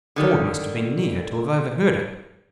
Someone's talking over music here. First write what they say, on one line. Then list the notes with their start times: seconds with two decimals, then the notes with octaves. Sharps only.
Ford must have been near to have overheard it.
0.16 D3 D#3 G3